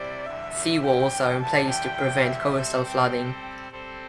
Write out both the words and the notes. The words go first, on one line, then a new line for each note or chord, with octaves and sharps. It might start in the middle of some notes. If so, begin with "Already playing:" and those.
Sea walls are in place to prevent coastal flooding.
Already playing: C3 G3 E4 C5 D5
E2 D3 G3 E5
G5
E2 D3 G3 E4 A5
G5
E5
G3 C4 A4 C5
G5
G3 C4 A4 C5